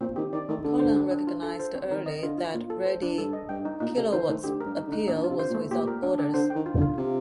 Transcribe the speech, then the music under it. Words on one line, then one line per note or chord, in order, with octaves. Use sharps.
Collins recognized early that Reddy Kilowatt's appeal was without borders.
A#2 C4
D#3 G4
D#3 D5
D#3 A3
D3 A4
C5
D4
D4
F4
A4
C5
C4
D#3 A#4
D#5
D3 F4
F4
A#2 F4
A4
C5
D4
G2 A4
D#5
G2 G5
D#4
A#2 D#4
C3 A4
D#3 C5
D#3 A3
D3 G4
A#4
G2
D#4
D3
D#4
A#2 D4
F4
C3
C5
A#2
A3
A#2 G4
A#4
D4
D4
D3 C5
G5
D#3
F4
D3
F4
C3 F4